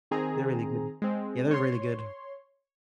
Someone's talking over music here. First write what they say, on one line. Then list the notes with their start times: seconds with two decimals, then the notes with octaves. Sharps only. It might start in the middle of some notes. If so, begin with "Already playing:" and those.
they're really good. Yeah, they're really good.
0.11 D#3 C4 G#4 A#5
1.02 G#3 C4
1.51 C#5 C6